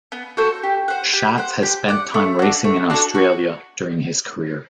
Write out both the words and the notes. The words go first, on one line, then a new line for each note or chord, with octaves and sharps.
Schatz has spent time racing in Australia during his career.
B3
F#4 A4 C5
G4
C5 F#5
G4
C5 F#5
G4
D5 F#5
A3
D4 F#4
A3
D4 F#4 A4
F#4